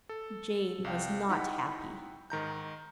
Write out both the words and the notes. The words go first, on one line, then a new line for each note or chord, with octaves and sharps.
Jane was not happy.
A4
C2 F5 G5
D#4 E4 F#5 G5 B5
G#2 D#3 A#5 G6